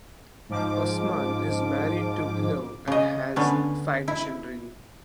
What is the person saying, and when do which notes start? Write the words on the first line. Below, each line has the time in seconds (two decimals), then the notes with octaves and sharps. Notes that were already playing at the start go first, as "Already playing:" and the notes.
Osman is married to Ilo and has five children.
0.49 G#2 F3 D6
2.87 C#3 D#5
3.36 D3 B3 C#4
4.08 E4